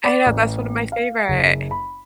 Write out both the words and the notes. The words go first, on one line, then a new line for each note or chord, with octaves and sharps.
I know, that's one of my favorite.
D5
A1
F5
F#1
B5